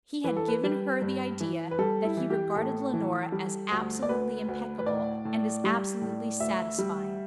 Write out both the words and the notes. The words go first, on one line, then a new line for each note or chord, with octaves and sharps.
He had given her the idea that he regarded Leonora as absolutely impeccable and as absolutely satisfying.
E3 B4
A4
B4
G3
G2
E3
B4
G3 A4
E4
E3
G4
A2 A4
E3
G3
D2
D5
D2 B4
D2
B4
A2 D5
A2
G3
A2
D2 E5
G3